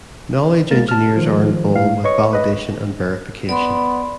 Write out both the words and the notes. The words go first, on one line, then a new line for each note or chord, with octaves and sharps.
Knowledge engineers are involved with validation and verification.
G#3 A#3 A#4 A6
A5 F6
D#3 F3
A2 F5
B4 C#5 D#5 C#6
B4 D#5
B3 D5 B5 C6